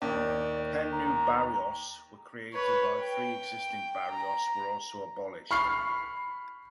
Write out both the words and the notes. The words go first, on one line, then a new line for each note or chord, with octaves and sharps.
Ten new barrios were created while three existing barrios were also abolished.
D#2 D5
A#5
B4 C#5
G5
A#5
B5 C#6 F6 C7